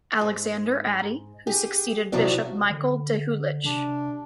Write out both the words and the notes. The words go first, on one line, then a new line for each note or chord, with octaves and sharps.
Alexander Atty, who succeeded Bishop Michael Dahulich.
G#2
G4 G#4
C3 F3 F#3 E4 F#4 D5
D3
C3 D4